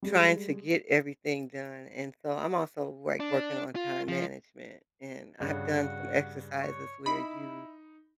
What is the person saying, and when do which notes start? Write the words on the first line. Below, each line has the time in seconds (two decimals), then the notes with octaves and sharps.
trying to get everything done. And so I'm also, like, working on time management and I've done some exercises where you
0.03 G3 G#3
3.20 D4
3.76 F4
4.08 F3
5.40 G2 C#3 F#4
6.62 C#5
7.06 D#4 E4 B5